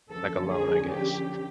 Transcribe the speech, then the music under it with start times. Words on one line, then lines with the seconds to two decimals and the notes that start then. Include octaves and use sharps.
like, alone I guess,
0.11 D3 F3 A#3 C#4 A4
0.50 G#4
0.90 G4